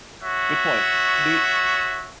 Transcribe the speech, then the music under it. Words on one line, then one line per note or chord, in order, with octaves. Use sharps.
good point. The
F#4 C#5 E5